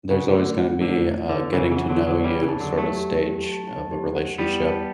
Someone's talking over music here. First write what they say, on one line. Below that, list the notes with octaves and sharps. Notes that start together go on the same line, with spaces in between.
there's always gonna be a getting to know you sort of stage of a relationship.
C#3 F#5
C#3
D3 A3
F#5
D3 A3
E4
D3 B4
C#3 E3 F#5
C#3 E3
F#5
D3 F#3
F#5
D3 F#3
E3 G3 C#5
C#3 E3
A5
D3 F#3
G4
F#3 A3
G4
G4
A5
A5
G4
F#5
G3 B3 G4
A5